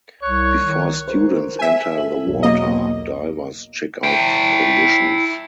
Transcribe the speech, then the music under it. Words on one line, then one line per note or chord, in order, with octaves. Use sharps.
Before students enter the water, divers check out conditions.
C2 C#5 C#6 F#6
D#3
A#4 C5
E5 G#5
A4 F#7
B1 E2 F#3
A#3 D#5
E4 G5